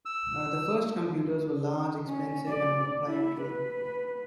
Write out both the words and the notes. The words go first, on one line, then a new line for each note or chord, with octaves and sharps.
The first computers were large, expensive and proprietary.
E6
C#4
D5
E4
B4